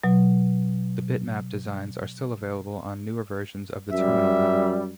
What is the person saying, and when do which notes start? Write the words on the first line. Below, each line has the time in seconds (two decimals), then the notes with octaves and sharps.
The bitmap designs are still available on newer versions of the Terminal app.
0.04 B2 F#3
3.91 F#2 G3 E5